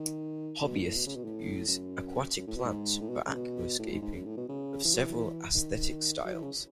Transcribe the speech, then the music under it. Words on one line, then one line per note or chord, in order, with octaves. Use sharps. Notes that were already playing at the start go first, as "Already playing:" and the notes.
Hobbyists use aquatic plants for aquascaping, of several aesthetic styles.
Already playing: D#3
B2
A2
B2
C#3
B2
A2
F#2
F#2
A2
B2
G#2
A2
B2
C#3
B2
A2
G#2
G#2
F#2
A2
B2
C#3
E3
F#3
E3
D#3
F#3
E3
C#3